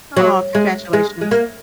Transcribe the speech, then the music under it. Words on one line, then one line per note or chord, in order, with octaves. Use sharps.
Aw, congratulations.
F#3
G#3
G#3
G#3
A#3